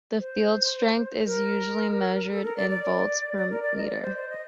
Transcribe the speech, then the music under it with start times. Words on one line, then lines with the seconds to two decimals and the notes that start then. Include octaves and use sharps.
The field strength is usually measured in volts per meter.
0.19 C5
1.26 A#4
2.30 A4
2.44 A#4
2.57 D5
2.70 D5
2.83 D5
3.37 D5
3.50 A#4
3.62 D5
3.76 D#5
3.89 D5
4.02 C5
4.16 C5
4.30 D#5